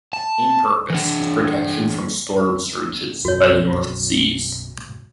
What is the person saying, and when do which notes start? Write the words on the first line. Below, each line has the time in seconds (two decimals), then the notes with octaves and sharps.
Its main purpose is protection from storm surges by the North Seas.
0.13 A5
0.90 E3 D4
3.25 B1 F#2 F#4 C#5